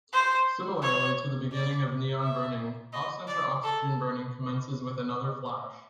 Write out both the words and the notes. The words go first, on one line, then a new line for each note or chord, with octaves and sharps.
Similarly to the beginning of neon-burning, off-center oxygen-burning commences with another flash.
C5
C#5
D5
E5
D#5
D5
A4